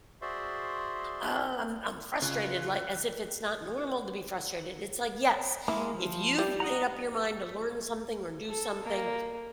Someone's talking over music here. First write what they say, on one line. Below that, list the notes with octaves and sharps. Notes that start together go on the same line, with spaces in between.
"Ugh, I'm I'm frustrated." Like, as if it's not normal to be frustrated. It's like, "Yes. If you've made up your mind to learn something or do something"
F#4 G#4 C5 D5 E5 C6
C#3 F4 F#6
G#3 A#3 E4
F3
G3
D#5 F#5 A#5
A4
A#3